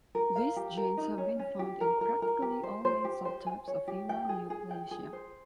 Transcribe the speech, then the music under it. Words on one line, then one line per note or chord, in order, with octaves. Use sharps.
These genes have been found in practically all main subtypes of human neoplasia.
A#4
F5
G4
A#4
D#4
C#4
C#4
G4
A#4
A#4
A#4
G4
C5
C5
G4
C5
G#5
C#5
G4
G5
G#4
G#4
G5
G#4
C5